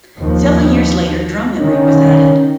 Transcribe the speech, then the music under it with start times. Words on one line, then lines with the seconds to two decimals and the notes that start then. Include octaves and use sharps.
Several years later drum memory was added.
0.18 D#2 F3
1.60 D#3 C#4